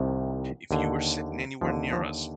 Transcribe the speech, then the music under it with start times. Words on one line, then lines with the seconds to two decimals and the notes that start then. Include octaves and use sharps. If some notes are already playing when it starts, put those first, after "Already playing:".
if you were sitting anywhere near us
Already playing: C2 C3 D#3
0.71 D#2 D3
1.61 D#2 D3 F3
1.92 F3